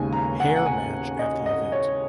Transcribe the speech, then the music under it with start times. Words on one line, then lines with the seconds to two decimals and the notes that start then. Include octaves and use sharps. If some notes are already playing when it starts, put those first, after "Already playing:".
Hair match at the event.
Already playing: D#2 C#3 G#3 B3 D#4 G#5
0.13 A#5
0.40 F#5
0.48 G#5
0.56 F#5
0.66 G#5
1.19 D#5
1.46 D#5
1.72 C#5